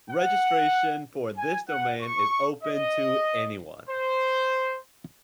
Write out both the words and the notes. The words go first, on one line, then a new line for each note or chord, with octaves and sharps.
Registration for this domain is open to anyone.
F#5
G#5
F#5
C#6
D#5
C5